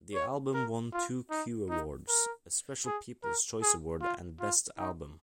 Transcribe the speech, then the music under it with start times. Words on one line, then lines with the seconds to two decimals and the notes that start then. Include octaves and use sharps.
The album won two Q Awards: a special People's Choice Award and Best Album.
0.14 C#5
0.54 A#4
0.93 F4
1.31 D#4
1.70 D#4
2.08 A#4
2.86 G#4
3.23 A#4
3.62 G#4
4.01 F4
4.40 F4
4.78 D#4